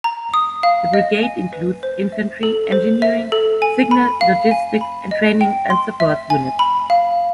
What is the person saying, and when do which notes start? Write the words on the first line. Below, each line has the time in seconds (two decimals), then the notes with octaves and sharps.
The brigade includes infantry, engineering, signal, logistic and training and support units.
0.04 A#5
0.34 D#6
0.63 F5
0.94 D#5
1.23 G#5
1.53 B4
1.83 C5
2.12 E5
2.43 A4
2.72 C5
3.02 E5
3.32 A4
3.62 G#5
3.91 B5
4.21 F5
4.51 G#5
4.81 B5
5.11 D#5
5.41 G5
5.70 C6
6.00 E5
6.30 G#5
6.59 B5
6.90 F5